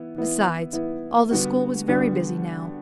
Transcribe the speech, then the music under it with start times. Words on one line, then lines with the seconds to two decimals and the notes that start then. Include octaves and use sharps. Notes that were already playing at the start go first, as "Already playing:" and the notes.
Besides, all the school was very busy now.
Already playing: E3 B3 E4
0.16 E3 B3 E4
0.72 E3 B3 E4
1.31 D3 G3 B3 D4 F#4
1.88 D3 G3 B3 D4 F#4